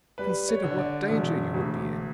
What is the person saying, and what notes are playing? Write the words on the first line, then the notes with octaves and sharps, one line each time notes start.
Consider what danger you would be in!
G3 B4
C#5
D3
D5
E1
D2